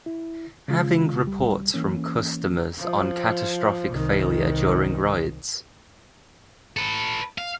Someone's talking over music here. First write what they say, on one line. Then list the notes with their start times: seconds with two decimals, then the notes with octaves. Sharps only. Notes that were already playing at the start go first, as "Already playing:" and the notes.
Having reports from customers on catastrophic failure during rides.
0.06 E4
0.68 C#3 G#3 F4
1.24 C2 G3
1.74 E3 A#3 C#4
2.77 F3
3.88 C2 D#3
6.77 A4 B4
7.38 F5